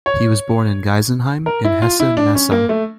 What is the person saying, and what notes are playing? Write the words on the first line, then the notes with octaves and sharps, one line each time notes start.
He was born in Geisenheim in Hesse-Nassau.
C#5
A#4
E4
F4
E4
D4
C#4
A#3
A3